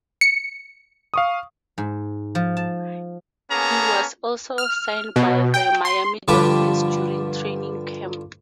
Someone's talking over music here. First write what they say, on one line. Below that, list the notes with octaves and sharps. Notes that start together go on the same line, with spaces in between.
He was also signed by the Miami Dolphins during training camp.
C#7
F5 C#6 D#6
G#2
F3
A5
A#3 B3 C#4 G#4 A5 A#5
F6
B2
G5
C6
G2 D3 F3 G4 B4 A5